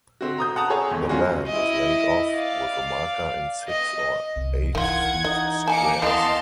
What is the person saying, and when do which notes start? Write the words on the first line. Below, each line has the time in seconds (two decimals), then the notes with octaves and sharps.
The land is laid off with a marker in six or eight feet squares.
0.21 D3 C4 F#4
0.38 A#5 D#6 G6
0.56 F#5 A5 A#5 D#6
0.70 G#4 A4 C#5 G#5
0.91 G#1 E2
1.09 G3 C#4 F4 F#4
1.47 E4 D#5
2.33 D5 F5
3.68 D#5
4.36 C2
4.75 D#3 E3 F4 F#5 G#6
5.24 D#4 D#5
5.68 A#3 G#5 A5 D6 C#7
6.02 D#2 E3 A#3 B3 D#5 F5 A5 C6